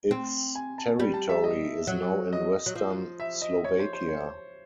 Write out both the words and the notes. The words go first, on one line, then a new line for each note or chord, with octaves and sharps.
Its territory is now in western Slovakia.
C4
G#5
A5
G3
A5
E5
D#5
F#3
D#5
F#3
F3
E5
D#5
C#5
C5
C5
C#5